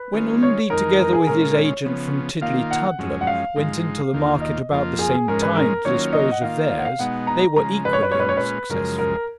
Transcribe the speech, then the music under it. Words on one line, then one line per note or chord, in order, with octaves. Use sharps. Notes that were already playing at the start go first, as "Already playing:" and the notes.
When Undy, together with his agent from Tillietudlem, went into the market about the same time to dispose of theirs, they were equally unsuccessful.
Already playing: B4
D#3 G#3 C#4 F4
C#5
F2 D#3 G#3 D#4 A#4
A#4
G#4
A#2 G#3 C#4 F4 A#4
C#5
C#3 F3 B3
D#3 A#3 F4 F5
F#5
F#2 F3 G#3 C#4
F#5
F5
G#2 F3 G#3 D#4
D#2 D#3 A#3 F4
D#5
F2 F3 A#3 F4
G#4
G#2 F3 G#3 C#4 A#4
B4
A#4
D#3 F#3 A#3 C#4 F4 C#5
D#5
F#5
D#3 A#3 F4 F5
F5
F#5
F5
B2 G#3 B3 D#4 F#5
A#5
C#3 F3 G#3 A#5
B4
C#5
B4
A#2 G#3 C#4 F4 C#5
B4
C#5
B4
F#2 C#3 F3 G#3 A#4
A#4